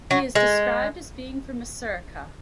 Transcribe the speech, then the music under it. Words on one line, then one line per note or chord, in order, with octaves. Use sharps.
He is described as being from Masrekah.
F#3
G#3